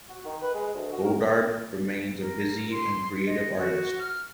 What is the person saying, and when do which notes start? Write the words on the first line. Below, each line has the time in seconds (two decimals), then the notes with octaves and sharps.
Godard remains a busy and creative artist.
0.08 F#4
0.25 D#3
0.42 B4
0.54 G#3
0.75 D2
0.91 F#4
1.04 A#4
2.20 A#4
2.71 C6
3.27 D#5
3.57 F#4
3.99 F6